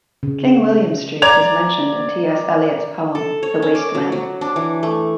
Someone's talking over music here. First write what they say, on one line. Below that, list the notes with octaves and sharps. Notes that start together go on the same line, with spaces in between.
King William Street is mentioned in T. S. Eliot's poem The Waste Land.
C#3
D5 A#5 G#6 F7
A4
C#5
C#4
D5
F#3
F#3
D4
E3
A3